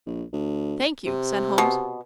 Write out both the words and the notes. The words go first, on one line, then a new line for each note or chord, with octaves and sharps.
"Thank you," said Holmes.
A#1
D2
C3
B2